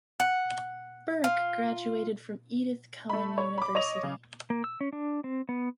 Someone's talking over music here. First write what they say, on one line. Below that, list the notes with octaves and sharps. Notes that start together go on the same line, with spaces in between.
Burke graduated from Edith Cowan University.
F#5
F4
A3 B5
C#5
B5 D6
C#5 D#5 D#6 F7
C#3
A#3
E6
C#4
D4
C4
B3